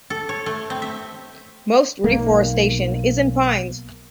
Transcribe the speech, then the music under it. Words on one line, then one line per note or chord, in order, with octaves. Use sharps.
Most reforestation is in pines.
A4
C#5
A3
C4
E5
B1 A#3